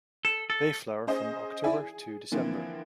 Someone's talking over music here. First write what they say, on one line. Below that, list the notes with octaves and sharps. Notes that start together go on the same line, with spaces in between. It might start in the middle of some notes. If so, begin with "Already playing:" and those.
They flower from October to December.
A4
A4
C#4 G#4 C5 D#5
E4 D5 E5 G#5
G#4
D3 E3 F3 A#3 C4